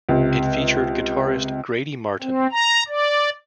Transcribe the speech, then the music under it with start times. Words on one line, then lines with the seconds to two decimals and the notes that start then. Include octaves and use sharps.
It featured guitarist Grady Martin.
0.09 C#2 C3
2.22 C4
2.51 A#5
2.88 D5